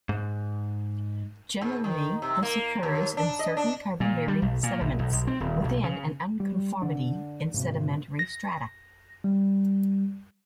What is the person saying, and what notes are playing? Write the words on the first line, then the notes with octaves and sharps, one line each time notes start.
Generally this occurs in certain carbon-bearing sediments, within an unconformity in sedimentary strata.
G#2
G#2
D#3
C3
A#3
D#2
D4
D#5
D4
A#2
G3
B1
A#2
A#1
B1
B1
C4
D#1
B1
C#3
G3
D3 D4
G#2 C3
A#6
G3